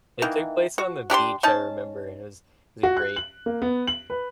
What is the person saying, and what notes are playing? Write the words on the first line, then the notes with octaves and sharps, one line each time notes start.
it took place on the beach, I remember, and it was was a great
D#3 E3 A#3
F#4
D4 G4 C#5 C6
C#4 D#4 A5
F#4
F#6
F#7
A#3
B3
F#7
B4